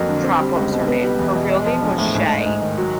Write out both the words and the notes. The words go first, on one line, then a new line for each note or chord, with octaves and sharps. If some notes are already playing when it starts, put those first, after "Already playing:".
crap, what was her name? Her real name was Shay,
Already playing: F2 F#3 A#3
D3
C4
G3
C#2
B2
B3
G3
E2
B2
G#3
F3
A#1
A2
G#2
G#3
G#2
D#3
F#3